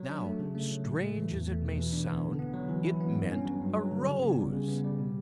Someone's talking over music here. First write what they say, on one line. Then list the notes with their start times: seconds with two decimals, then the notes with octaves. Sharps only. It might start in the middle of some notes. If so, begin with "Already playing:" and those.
Now--strange as it may sound--it meant a rose!
Already playing: F#3
0.09 D4
0.24 A3
0.39 C#3
0.55 A3
0.71 F#3
0.85 A2
1.00 A3
1.16 E3
1.32 E2
1.47 A3
1.62 B2
1.78 E3
1.93 D4
2.07 B3
2.23 D3
2.39 B3
2.54 F#3
2.69 E3
2.85 E4
3.00 B3
3.15 G2
3.31 C#4
3.45 F#3
3.61 G2
3.77 F#3
3.91 D3
4.07 C#3
4.22 B3
4.38 G3
4.52 C#3
4.68 B3
4.84 G3
4.99 B2